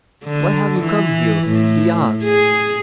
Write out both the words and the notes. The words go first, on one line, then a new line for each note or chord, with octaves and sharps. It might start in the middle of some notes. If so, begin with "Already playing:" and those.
"Why have you come here?" he asked.
D3
E3
A2
G#4